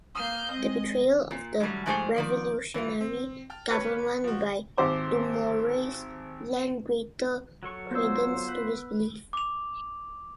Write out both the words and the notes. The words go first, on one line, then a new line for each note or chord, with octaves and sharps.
The betrayal of the revolutionary government by Dumouriez lent greater credence to this belief.
A#3 F5 D#6 F6 G6 D#7
G#3 C4 D#5
A#2
A2 F#3 G3
G#2 F3 A3 G4 G#4 C5
D#3 F3 D5
E3 G3 F4
C4
G5 A5 F6
G4 B4 C#5
F3 F#4
G#1 G4 C5 D6
F#3 A4 C#6
B3 F4 C5 E6
B4
D6 F7